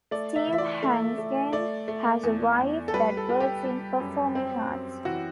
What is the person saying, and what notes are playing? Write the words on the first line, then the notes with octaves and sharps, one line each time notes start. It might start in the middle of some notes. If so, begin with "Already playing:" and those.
Steve Hansgen has a wife that works in performing arts.
A3 D5
E5
E3
E5
D5
A3
A3
A3 D5
A3
E2
E2
A4
G3 B4
A4
G3
G4
G3
F#2
C4
F#2
E3 F#4